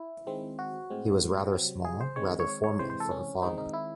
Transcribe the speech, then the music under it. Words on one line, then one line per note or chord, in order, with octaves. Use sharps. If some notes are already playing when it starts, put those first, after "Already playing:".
He was rather small, rather formal, for a farmer.
Already playing: E4
D#3 G#3 C4
F#4
A2 G#3 C4
C3 F#3 C4
G#4
C5
D#3 G#3 C4 C#5
C#5
C#5
C3 E3 G#3 C4 C5
C5
A4
C#4
D#3 G#3 C4 D#4
D#4
E4